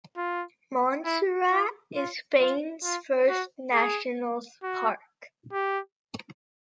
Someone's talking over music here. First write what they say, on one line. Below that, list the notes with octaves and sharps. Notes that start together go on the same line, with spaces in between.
Montserrat is Spain's first National Park.
F4
E4
F4
F4
F4
F4
F#4
G#4
F#4
G4